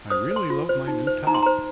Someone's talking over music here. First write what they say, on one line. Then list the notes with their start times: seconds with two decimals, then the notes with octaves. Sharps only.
I really love my new top!
0.10 C5 D#6
0.31 C5
0.36 C6
0.50 F4
0.69 C5
0.87 D#4
1.07 C5
1.27 D#4 A#5
1.34 C6
1.43 C5 A#5